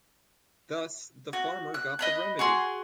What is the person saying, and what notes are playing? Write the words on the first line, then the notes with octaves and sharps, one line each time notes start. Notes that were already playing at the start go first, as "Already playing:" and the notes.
Thus the farmer got the remedy.
F#4
F#6
D#5 B5 F#6
F#4 G#4 C6